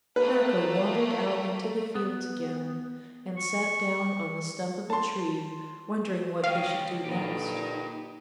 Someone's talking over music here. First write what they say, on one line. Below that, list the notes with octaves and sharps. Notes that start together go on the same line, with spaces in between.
Ferko wandered out into the fields again, and sat down on the stump of a tree wondering what he should do next.
A3 A#3 A#4 B4
B3
C#6
A5 C6
C#2 C#5 F5 G5
A#2 D3 D#4 G4 B4